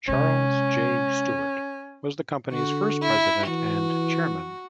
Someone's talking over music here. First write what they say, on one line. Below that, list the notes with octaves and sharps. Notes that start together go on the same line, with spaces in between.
Charles J. Stewart was the company's first president and chairman.
C3 G#3 C#4
D3 F#4
E4
E3 F#4